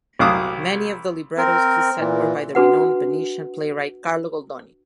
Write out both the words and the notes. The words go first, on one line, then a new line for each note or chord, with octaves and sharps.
Many of the librettos he set were by the renowned Venetian playwright Carlo Goldoni.
C2 F#3 F5 D6 D#6
C4 A#4
A#2 E3
D4 F#4 B4 F#5